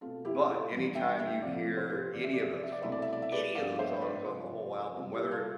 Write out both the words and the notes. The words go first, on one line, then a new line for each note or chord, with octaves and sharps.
but anytime you hear any of those songs any of those songs on the whole album, whether it
B2 A3 C4 F4 A4
E4 G4
F4 A4
E2 D3 G3
E5 G5
E5 G5
F2 C3 F3 A3 D5 F5
C5
G4 B4
E2 C3 F3 D5
E5
D5
E5
D5
E5
D5
C2 B2 A3 C4 E5
D5
E5
D5
E5
B4 D5
G2 F3 B3 D4 D5 F5
C5 E5
B4 D5
C3 F3 C4 F4
F4
C3 G3 C4 F4
E4 G4
F4 A4